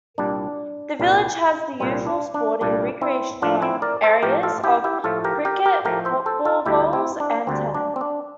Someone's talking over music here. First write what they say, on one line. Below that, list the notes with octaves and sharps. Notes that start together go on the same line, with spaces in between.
The village has the usual sporting recreational areas of cricket, football, bowls and tennis.
C2 A#2 G3 D4
C2 A#2 G3
C2 A#2 G3 C4
D4
D4
C2 A#2 G3 D4
C4 E4
A2 F3 A3 D4 F4
C4 E4
A#4 D5
A4 C5
A2 F3 A3 G4 A#4
F4 A4
E4 G4
E4 G4
A2 F3 A3 F4 A4
G4 A#4
G4 A#4
G4 A#4
A2 F3 A3 G4 A#4
C5 E5
A4 C5
F4 A4
D2 D3 G3 E4 G4
C4 E4
D4
D2 D3 G3 C4
D4
C4
D4